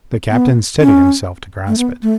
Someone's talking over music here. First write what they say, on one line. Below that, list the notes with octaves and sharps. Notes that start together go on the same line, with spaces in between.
The Captain steadied himself to grasp it.
B3
C#4
A3
B3
A3